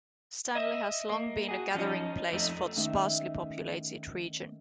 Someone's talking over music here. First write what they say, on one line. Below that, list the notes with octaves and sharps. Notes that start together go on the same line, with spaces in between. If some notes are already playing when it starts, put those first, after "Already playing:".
Stanley has long been a gathering place for the sparsely populated region.
D#5 E5
A#3
F#4 G#4
F3 C#4 D#4
F2 A3 D#4
D#3 A3 C#4 D#4 D#5 E5